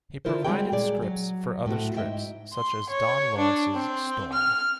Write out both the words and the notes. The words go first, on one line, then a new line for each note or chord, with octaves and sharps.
He provided scripts for other strips, such as Don Lawrence's "Storm".
D3 E4 F4 A#4 C5
G3 G#3 C4 F#4 G#4 G5
A#2 G#3 G#4 D5
F#3
A2 A3 C4 F#4
G#2 F#3 D#5 E5 G5
C6
C#5
D4
C4
F6